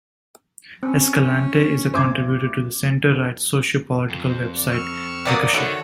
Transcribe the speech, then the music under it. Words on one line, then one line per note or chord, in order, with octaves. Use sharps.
Escalante is a contributor to the center-right socio-political website Ricochet.
C4 C#4
A1 C5 D6 G#6
F2
C5
D5
C#6 E6 F6
C3 F#3 A#3 B4 D5 D#6
D3 D#3 A3 F#4 A4 C#5 C#6